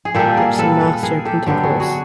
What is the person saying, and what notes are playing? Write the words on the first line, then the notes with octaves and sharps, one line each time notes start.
Epson Master Printing Course.
G#4
A#2 G3 A#3 G4 A4
G#4 A#4
A4 B4
A4 B4
G#4 A#4
G4 A4
D3 F#3 B3 G4 A4
F#4 G#4
F#4 G#4